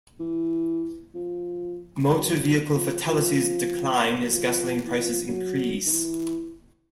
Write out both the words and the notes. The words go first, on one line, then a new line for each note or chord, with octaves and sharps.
Motor vehicle fatalities decline as gasoline prices increase.
E3
F3
F#3
F3
F3
F#3
F3
E3
F3
F#3
D#3
E3